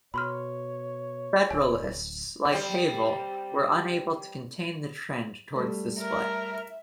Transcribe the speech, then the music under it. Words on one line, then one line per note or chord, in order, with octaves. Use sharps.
Federalists, like Havel, were unable to contain the trend toward the split.
B2 C#5 B5 C6 F6
D1 G#5
G3 C4
G3 A3
A#4 E5